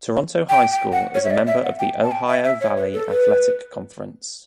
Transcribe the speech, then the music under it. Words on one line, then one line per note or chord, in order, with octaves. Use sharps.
Toronto High School is a member of the Ohio Valley Athletic Conference.
G5
G5
F#5
C#5
E5
D5
E5
F#5
G5
A5
G5
E5
E5
C#5
B4
A4
B4